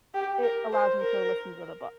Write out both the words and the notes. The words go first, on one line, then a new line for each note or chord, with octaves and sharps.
it allows me to listen to the book
G4
A#4
C5
A#4